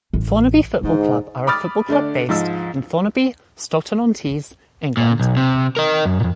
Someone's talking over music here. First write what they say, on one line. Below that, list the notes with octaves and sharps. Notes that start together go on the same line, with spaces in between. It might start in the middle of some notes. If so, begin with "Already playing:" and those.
Thornaby Football Club are a football club based in Thornaby, Stockton-On-Tees, England.
A1
G#2 D3
B5 D6 D#6 F6 A6
D3 A3 D4 D5
G#2 F3 E6
A#2
B1
C3
A#4 D#5
F#2
F2 A#2